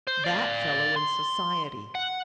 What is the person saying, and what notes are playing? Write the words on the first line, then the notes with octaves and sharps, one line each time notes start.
"That fellow in Society!"
C5
D5 F5
C6
F#5